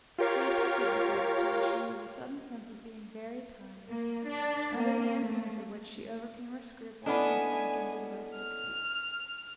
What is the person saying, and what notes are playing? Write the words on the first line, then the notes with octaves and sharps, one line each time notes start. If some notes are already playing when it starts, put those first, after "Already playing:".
The effect of this agitation was a sudden sense of being very tired, under the influence of which she overcame her scruples and sank into the rustic seat.
F4 G4 A#4 C#5 F5
A#3
D4
A#3
A3
B3 C#4 D4 E4 A4 D#5 G#5
F6